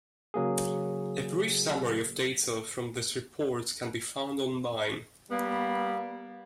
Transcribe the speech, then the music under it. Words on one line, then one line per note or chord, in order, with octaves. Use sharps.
A brief summary of data from this report can be found online.
C#3 F#3 A#3 G#4
G3 A#3 B3